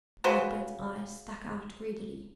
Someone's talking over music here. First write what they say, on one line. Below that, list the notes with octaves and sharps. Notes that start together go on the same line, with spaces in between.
Whitebird's eyes stuck out greedily.
C#3 F#4 B4 C5